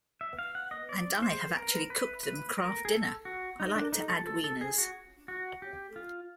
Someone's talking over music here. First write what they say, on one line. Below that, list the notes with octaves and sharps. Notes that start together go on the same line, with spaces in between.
And I have actually cooked them Kraft Dinner - I like to add wieners.
E5
F5
F#5
D#5
D5
C5
A#4
B4
B4
A#4
G#4
A4
F#4
D#4
D4
D#4
A4
A4
A4
G#4
F#4
F#4
G4
F4